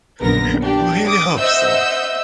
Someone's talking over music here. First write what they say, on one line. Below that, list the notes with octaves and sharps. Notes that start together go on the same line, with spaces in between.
We really hope so.
A#1 F#2 D3 B3 A#4 A#6
D4 G4
D6 D#6
C5 D#5 E5 F#5 E6 G6